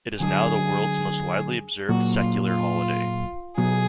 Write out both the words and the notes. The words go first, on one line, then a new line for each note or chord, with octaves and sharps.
It is now the world's most widely observed secular holiday.
D3 F#3 D4 G#4
A#2 F#3 A#3 F#4
F4
F4
B2 F#3 B3 G#4